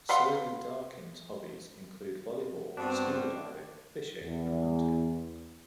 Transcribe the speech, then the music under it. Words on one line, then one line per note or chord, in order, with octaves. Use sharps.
Sergey Darkin's hobbies include volleyball, scuba diving, fishing, and hunting.
B4 F5 F#5 C6
G2 B3 C4 D4 F#4
E2